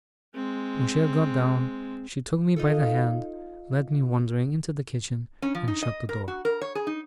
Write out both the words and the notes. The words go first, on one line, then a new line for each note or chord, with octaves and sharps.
When she had got down, she took me by the hand; led me, wondering, into the kitchen; and shut the door.
G#3 C4
D#4 F4 A4
C#4
F3
D#4
D#5
A#4
F#4
A#4
C#5
G#4
D#4